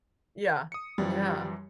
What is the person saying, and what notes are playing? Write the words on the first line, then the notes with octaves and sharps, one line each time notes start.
Yeah, yeah.
D#6 C#7
F#2 E3 F3 G3